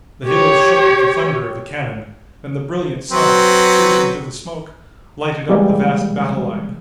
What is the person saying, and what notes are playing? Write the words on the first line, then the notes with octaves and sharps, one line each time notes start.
The hills shook with the thunder of the cannon, and the brilliant sun, piercing through the smoke, lighted up the vast battle line.
G4 C#5
F#3 C4 B4
E3 G3 G#3 A#3